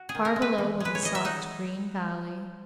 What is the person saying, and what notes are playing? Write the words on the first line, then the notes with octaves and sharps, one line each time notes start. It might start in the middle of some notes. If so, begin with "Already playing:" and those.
Far below was a soft, green valley.
Already playing: F#4
G#4
D#3
A#4
G#3
B4
E3
G#3 B4
C#5
E3 D#5
E5
D#4 F#5